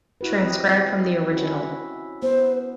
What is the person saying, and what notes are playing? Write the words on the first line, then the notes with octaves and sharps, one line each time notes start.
Transcribed from the original.
E4 F#4 B4
C4 G4 D#5
C#4 E4 F#4
B3 C5